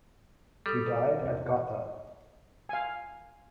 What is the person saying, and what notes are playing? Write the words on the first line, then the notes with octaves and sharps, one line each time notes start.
He died at Gotha.
G3 A4 D#6
E2 C3
F5 G#5